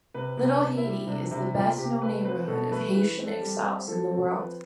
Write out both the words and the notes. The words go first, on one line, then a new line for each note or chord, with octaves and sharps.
Little Haiti is the best known neighborhood of Haitian exiles in the world.
C3 B4
C3
B4
C3
E4
G3
C3 D4
C3 E4
C3 F4
C3 G4
A3 B4
C4 B4
B2 A4
A3 B4
E3 B4
C4
A4
G3
C4
F3 A4
C4
F3 B4